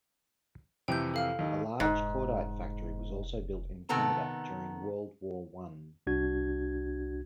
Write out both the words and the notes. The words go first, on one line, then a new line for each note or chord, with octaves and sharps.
A large cordite factory was also built in Canada during World War One.
F2 C3 E3 G5 G6
A4 F5 F6
D#2 D#4
F1 G#2
C3 D#3 B3 A4 A#5
C2 D4 F#4 G#6